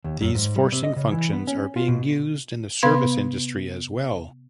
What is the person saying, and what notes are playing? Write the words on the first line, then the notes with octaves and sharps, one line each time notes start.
These forcing functions are being used in the service industry as well.
D#2
F#2
G#2
G3
C3
D#5
C#3
E3
B3
C#4
F4
B2
C3 B3 B4 F5 C6 G#6